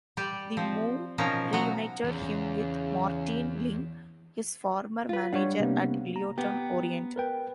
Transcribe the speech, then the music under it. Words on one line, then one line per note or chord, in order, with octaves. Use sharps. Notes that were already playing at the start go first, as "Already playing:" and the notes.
The move re-united him with Martin Ling, his former manager at Leyton Orient.
G3 G4 D5
F3 C4
B2 F3 C#4 D#4 A#4
F#3 B3 F#4
E2 C#3
F4 B4
G3 D4 C#5 F#5
C3 A#3 B3
A#5
B3 G4
A#4 B4 G5